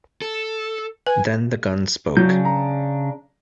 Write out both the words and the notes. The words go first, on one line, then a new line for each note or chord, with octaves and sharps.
Then the gun spoke.
A4
B4 G#5
C#3 F#3 D4 G6
A#5